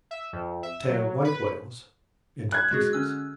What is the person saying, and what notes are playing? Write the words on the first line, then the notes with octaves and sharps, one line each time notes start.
Tear white whales into pieces.
E5
F2
E5
F#3
B4
F#6 G#6
G#3 F#4 G#4
D3 C#4 E6